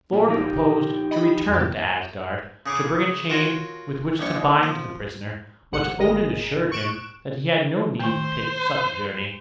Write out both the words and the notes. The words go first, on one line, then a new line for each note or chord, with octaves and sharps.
Thor proposed to return to Asgard, to bring a chain with which to bind the prisoner; but Odin assured him that he had no need to take such a journey.
A#2
F3 D#4 G4
D#5 B5
F2 G#2 G4
C#3 G#4 C#6 D6
F4 F#4 A#4 C#5
A#1 G3 C#5 C#6
D#2
F3
A1 G#2 G4 F#5 C#7
G#1 D3 G#3 A#4 D#5 A#6
C#6 F#6 D7 E7
D#3 A3 C5